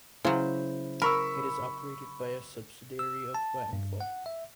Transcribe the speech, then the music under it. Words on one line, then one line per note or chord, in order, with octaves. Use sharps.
It is operated by a subsidiary of Vattenfall.
C#3 F#3 E4 C5
A#4 B5 C#6 E6
E6
A5
G2
F#5
E5